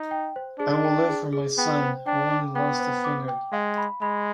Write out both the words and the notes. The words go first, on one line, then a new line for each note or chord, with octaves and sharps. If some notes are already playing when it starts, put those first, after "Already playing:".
I will live for my son, who only lost a finger.
Already playing: D#4
G5
C5
D4 G#4
G5
G#4
G#4
B3 G5
C5
D4 G5
D6
B3 G5
C5
D6
G5
G#3 F5
B5
G#3 B5